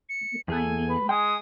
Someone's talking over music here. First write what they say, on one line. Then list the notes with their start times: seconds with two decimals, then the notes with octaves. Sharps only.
the timing and
0.09 C#7
0.48 E2 G#4 A4 G#5
0.89 B4
1.09 G#3 G5 G#5 D#6